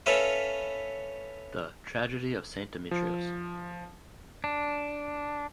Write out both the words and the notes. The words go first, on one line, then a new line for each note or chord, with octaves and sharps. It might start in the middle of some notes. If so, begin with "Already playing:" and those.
The "Tragedy of Saint Demetrios".
C#4 A4 B4 C#5 E5 F5
F3
D4